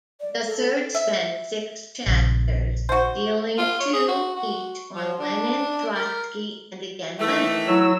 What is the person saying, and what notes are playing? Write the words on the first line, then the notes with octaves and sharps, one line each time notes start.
The third spends six chapters, dealing two each on Lenin, Trotsky, and again Lenin.
D5
A4
E5
A#1 C#3
F#4 C5
F4
C#5
G#4
F#4
F#4
F3
D4
A#4
D#3 E3 A3
F#3 E4 E6